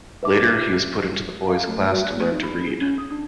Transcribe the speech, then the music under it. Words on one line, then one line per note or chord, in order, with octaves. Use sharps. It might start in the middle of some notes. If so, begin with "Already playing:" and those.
Later, he is put into the boys' class to learn to read.
B4 E5 D6
F5
A3
F#4
F#6
A3
D#4
B5
G#4
C#4
D#6
D4